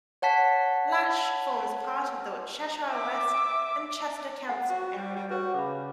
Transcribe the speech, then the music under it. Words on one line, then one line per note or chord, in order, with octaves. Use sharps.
Lache forms part of the Cheshire West and Chester council area.
C#5 F#5 A5 B6
E5 D6
F#5 G#5
F#4
G3
G3
F#4 B4 C#5
C#3 B5 D6